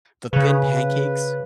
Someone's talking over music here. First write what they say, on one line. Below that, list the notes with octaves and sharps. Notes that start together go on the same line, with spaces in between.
the thin pancakes?
C#3 B4